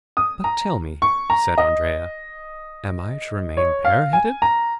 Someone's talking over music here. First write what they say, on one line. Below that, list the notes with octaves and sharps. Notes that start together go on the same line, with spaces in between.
"But, tell me," said Andrea, "am I to remain bareheaded?"
D#6
A#5
C#6
A#5
D#5
C#5
F5
G#5
A#5